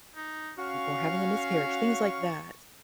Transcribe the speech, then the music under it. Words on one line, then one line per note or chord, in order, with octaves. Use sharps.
or having a miscarriage, things like that.
D#4
C#4 F#4 F5 C#6